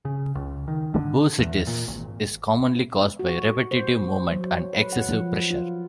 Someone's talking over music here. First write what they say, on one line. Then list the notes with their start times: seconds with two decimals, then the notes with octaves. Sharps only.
Bursitis is commonly caused by repetitive movement and excessive pressure.
0.05 C#3
0.35 C#2
0.68 D#3
0.94 D3
1.39 E2
1.67 A#2
1.88 G#1
3.19 F#4
3.71 C5
4.32 F#3
4.73 B4
4.92 F#5
5.12 F3
5.51 F4